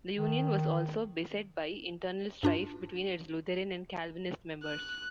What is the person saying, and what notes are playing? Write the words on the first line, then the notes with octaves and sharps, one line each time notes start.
The Union was also beset by internal strife between its Lutheran and Calvinist members.
D#3
G2 D4 F4
F#6